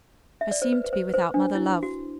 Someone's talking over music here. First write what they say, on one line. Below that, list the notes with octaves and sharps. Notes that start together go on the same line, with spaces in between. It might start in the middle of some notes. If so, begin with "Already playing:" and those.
I seemed to be without mother-love.
E5
D5
C5
B4
B4
C5
B4
C5
D4
E4
F#4